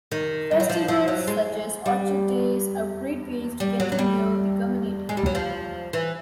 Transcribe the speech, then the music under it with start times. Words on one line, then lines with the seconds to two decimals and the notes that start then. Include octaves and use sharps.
Festivals such as Orchard Days are great ways to get to know the community.
0.12 D#3
0.51 G3
0.60 F#3
0.69 F3
0.88 F3
1.08 F#3
1.27 G#3
1.86 G3
3.60 G3
3.80 F#3
3.92 F#3
3.99 G3
5.09 G#3
5.17 G3
5.26 F#3
5.35 F3
5.93 E3